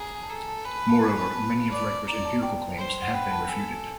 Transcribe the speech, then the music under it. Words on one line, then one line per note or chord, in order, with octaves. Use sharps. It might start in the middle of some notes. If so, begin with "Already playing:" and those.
Moreover, many of Riker's empirical claims have been refuted.
Already playing: G#4 A#5
G#5
A5
A4 A#5
A5
B4 G#5
A5
G#5
A5
D5
D5 A#5
A5
G5
C5
F#5
B4 G5
A5
A4 G#5